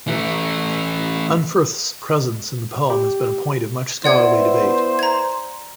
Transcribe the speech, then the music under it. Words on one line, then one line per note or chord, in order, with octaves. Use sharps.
Unferth's presence in the poem has been a point of much scholarly debate.
E3 A3
G4
B3 E4 C5 D5 F#5 G#6
A#5 G#6